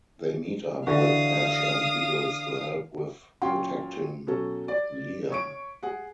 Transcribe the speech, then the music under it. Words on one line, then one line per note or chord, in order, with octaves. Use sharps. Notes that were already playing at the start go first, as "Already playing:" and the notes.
They meet up with Ash and Giggles to help with protecting Liam.
D3 E3 F#4 F5 D#6
A#2 F#3 C#4 F5 G5 C6
B2 F#3 C#4 A4
D5
C#5 C#6 D7
G#4 F#5